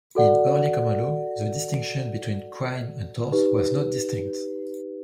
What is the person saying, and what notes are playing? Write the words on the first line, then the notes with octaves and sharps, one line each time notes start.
In early common law, the distinction between crime and tort was not distinct.
F#4 A4 D5 F#5
D#4 G4 B4